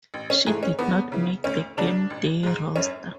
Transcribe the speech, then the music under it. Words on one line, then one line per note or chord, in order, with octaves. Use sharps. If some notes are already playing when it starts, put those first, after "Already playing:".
She did not make the gameday roster.
A1
C#4
G#2 E3 A3 G#4
C#4
E2 B3
C#3 E3
D2 C#4
C#3 F#3 D4
A1
G#2 G#3
F#2 C#4